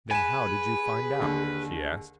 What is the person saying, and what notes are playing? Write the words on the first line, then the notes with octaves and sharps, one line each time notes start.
"Then how did you find out?" she asked.
G#4 B4 G#5 E7
D#2 D3